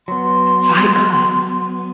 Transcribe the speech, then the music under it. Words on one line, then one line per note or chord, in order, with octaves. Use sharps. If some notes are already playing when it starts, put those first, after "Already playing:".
Fight Club.
F#3 B3 C6